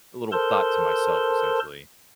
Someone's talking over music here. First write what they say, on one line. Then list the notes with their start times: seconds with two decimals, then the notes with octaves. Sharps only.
a little thought to myself, essentially.
0.32 A4 A#4 C5 A5 C6